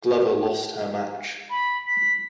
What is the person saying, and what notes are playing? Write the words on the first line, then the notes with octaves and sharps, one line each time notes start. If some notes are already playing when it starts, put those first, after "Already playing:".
Glover lost her match.
B5
B6